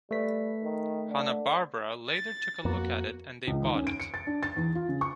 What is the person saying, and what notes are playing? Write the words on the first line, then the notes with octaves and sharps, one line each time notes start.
Hanna-Barbera later took a look at it and they bought it.
G3 A3 B4 B6
D#3
D3
A6
F2 A#3 B3 F#4
C#2
D#2
C#4
D7
C#7
A6
D4
A6
E2
F4
C#3
C#6